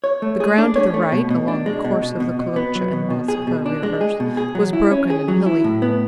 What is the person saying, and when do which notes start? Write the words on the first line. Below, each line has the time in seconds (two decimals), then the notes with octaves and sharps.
The ground to the right--along the course of the Kolocha and Moskva rivers--was broken and hilly.
0.04 C#5
0.22 A3
0.40 G#4
0.58 D4
0.76 C#5
0.94 A3
1.12 B2
1.30 B2
1.48 D4
1.66 G#3
1.85 B2
2.02 B2
2.20 B2
2.39 B2
2.56 B3
2.75 F#3
2.93 B2
3.10 B2
3.28 G#4
3.47 B2
3.66 D4
3.83 G#3
4.01 G#4
4.20 B2
4.37 G#4
4.55 F#3
4.73 E4
4.91 C#4
5.10 G#4
5.28 F#3
5.46 E4
5.64 A2
5.82 B3